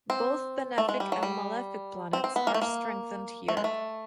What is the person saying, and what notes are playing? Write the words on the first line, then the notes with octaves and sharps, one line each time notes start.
Both benefic and malefic planets are strengthened here.
C4
A3
G#3
G3
F#3
G3
C4
C4
B3
A#3
A3
A#3
A3
G#3
A3